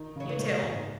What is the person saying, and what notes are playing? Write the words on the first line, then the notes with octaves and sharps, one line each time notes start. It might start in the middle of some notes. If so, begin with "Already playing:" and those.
You too.
Already playing: D#3 D#4
C#3 F#3
E3
B2 D#3 G#3
G#1 G#2